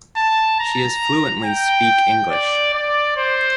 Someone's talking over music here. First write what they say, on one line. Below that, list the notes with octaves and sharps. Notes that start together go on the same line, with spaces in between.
She is fluently speak English.
A5
A#5
G5
D5
D5
C5